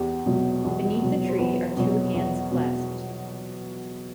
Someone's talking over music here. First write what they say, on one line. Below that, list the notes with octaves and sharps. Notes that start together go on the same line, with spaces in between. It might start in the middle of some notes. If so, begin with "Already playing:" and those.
Beneath the tree are two hands clasped.
Already playing: E2 G4
B2 F#3
E2
B2 F#3
C5
E2 B4
B2 F#3
E2
B2